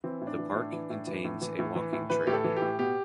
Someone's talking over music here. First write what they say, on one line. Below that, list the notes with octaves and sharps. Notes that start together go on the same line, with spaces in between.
The park contains a walking trail.
E3 C4
A2
D4
E3
D4
A2
E3
A2
E3
A2
E3
A2
E3
A2
E3 B4
A2 G4
A4
E3
G4
A2
B2 G4